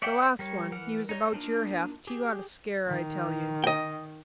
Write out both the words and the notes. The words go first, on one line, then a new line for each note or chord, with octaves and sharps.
The last one--he was about your heft--he got a scare, I tell you.
C#5 D5 E5 F#5 G5
G3 A#4 C#5
E3 A#4 F#5 F6
D#4 C#5 D#5
A#3 D4 D#4 F4 A#4
G4 G#4
D#3
D#5 G5